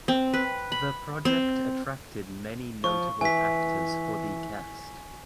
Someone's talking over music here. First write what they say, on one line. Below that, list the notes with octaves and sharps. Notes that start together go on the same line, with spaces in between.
The project attracted many notable actors for the cast.
C4
B4
B5
C4
F3 C#6
E3 G#5 B6